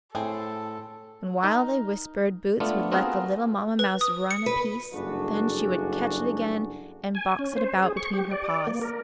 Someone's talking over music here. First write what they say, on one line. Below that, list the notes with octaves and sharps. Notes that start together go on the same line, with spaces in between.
And while they whispered Boots would let the little Mamma mouse run a piece, then she would catch it again and box it about between her paws.
A2 C4 G#4 A4 C5
D#4 A#4
A3 B3 D4 F4
B3 C4 F4 F#4 G#4 A#4
B4
D#6
C#7
B4
F#1 G2 D4 F#4 G#4 A4
G#5
C#4
C5
G#4
C#6
G4
D5
A#3
A#4